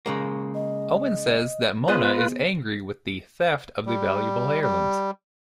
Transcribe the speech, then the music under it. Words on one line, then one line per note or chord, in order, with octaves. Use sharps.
Owen says that Mona is angry with the "theft" of the valuable heirlooms.
C#3 G#3 A#3
D#5
B3 F4 G#4 B4 C5 D#5
G3
G3